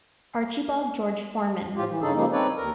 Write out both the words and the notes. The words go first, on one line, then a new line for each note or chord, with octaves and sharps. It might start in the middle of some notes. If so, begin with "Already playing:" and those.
Archibald George Forman.
A2 F3 F4 G4
E3
G2 C#3 C#4 D#4 G#4 A4
C#3 F3 G3 G#3 A#3 D#4
C4 D#4 A4 B4 C#5 D5
D#2 A#4 A#5